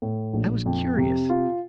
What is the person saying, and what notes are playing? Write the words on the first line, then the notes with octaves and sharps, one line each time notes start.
I was curious.
A2
A#1
F2
C3
F4